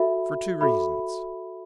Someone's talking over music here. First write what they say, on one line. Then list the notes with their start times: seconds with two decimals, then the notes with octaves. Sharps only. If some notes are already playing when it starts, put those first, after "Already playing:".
"For two reasons."
Already playing: F#4 A4 E5 B5
0.61 F#4 A4 E5 B5